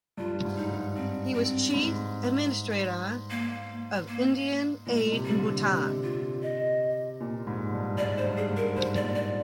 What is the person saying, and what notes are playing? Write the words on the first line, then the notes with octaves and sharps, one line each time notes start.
He was Chief administrator of Indian aid in Bhutan.
G2 F4
G#2
D#4
G2
C4
C4
G#2
A#3
A#3
A#2 G#3
C3
G3
D3
C3 G#3
F4
D#5
A#2
G#2
G2
G#2 D5
C5
G2
G#4
G#2
A#4
G#2 C5
D5
A#2
D5